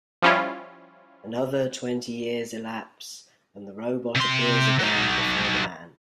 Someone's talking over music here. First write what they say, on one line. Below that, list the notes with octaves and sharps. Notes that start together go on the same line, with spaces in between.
Another twenty years elapse, and the robot appears again before the man.
F3 G3 C#4 E4 F4
C3 C6
F#3 D#4